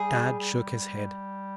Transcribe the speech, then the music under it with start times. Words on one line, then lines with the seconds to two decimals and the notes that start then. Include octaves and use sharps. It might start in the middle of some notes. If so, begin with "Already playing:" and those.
Tad shook his head.
Already playing: G3 G#4
0.39 G3